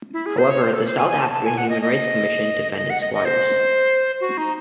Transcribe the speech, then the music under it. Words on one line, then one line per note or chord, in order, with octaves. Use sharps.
However, the South African Human Rights Commission defended Squires.
E4
G#4
C5
C#5
C5
A4
C5
G#5
G#5
A5
A5
G#5
F#5
D#5
D#5
D#5
F#5
D#5
D#5
C5
F#4
D#4